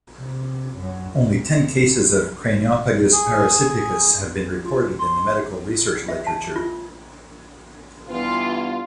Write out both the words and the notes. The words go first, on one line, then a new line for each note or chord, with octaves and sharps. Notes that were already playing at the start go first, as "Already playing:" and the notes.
Only ten cases of craniopagus parasiticus have been reported in the medical research literature.
C3
F#2 F#3
G#4
F4
C6
E5
A5
F4
G2 E3 B3 F4